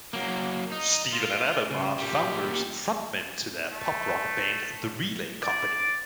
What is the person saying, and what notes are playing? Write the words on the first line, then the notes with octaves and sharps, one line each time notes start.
Stephen and Adam are founders and frontmen to their pop-rock band The Relay Company.
F#3 A#3
D#4
F4
C#3
A#2 G3
A3
D5